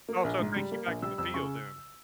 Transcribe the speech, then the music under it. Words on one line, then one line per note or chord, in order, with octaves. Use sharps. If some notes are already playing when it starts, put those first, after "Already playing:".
Oh, so it takes you back to the field then.
A#3
A#1
G#2
G3
A#3
A#1
G3 E6
F2 E6
C#3 C#6